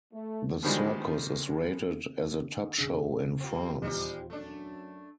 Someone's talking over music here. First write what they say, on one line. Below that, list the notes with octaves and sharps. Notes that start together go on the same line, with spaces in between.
The circus is rated as a top show in France.
A3
B2 D3 D#3 F3 G3 G#3
D3 D#3
E1 C#3 D4 G#4
A#3 C4 F4 G4 C5
D#1 E2 G3 G#3 D#4
F#2 F#3 A3 C#4 D4